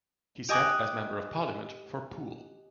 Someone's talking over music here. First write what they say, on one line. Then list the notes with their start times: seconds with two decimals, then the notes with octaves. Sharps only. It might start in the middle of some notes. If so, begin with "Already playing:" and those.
He sat as Member of Parliament for Poole.
0.49 G4 D#5 G#5 D6 D#6 F#6